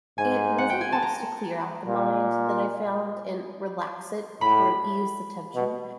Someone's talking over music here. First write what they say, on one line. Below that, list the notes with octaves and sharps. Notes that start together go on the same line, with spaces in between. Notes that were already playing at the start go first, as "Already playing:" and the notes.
it really helps to clear out the mind that I found, and relax it, or ease the tension.
G#2 G#5
F#5
G5
G#5
A5
A#5
A#2
A2 B5
B2